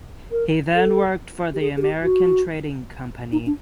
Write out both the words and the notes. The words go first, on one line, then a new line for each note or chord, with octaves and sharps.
He then worked for the American Trading Company.
A#4
A4
G4
G#4
G#4
G4
F#4
D#4
D4